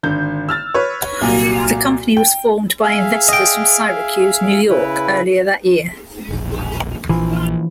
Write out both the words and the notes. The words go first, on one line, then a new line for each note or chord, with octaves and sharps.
The company was formed by investors from Syracuse, New York, earlier that year.
G#1 D3 G6
E6 F6 A6
B4 C#5
C2 A#2 F#3 A#3
G5
G#4 E5 F5
D#5 G5
C#3 E4 B4
E1 A#1
A#1 E3 F3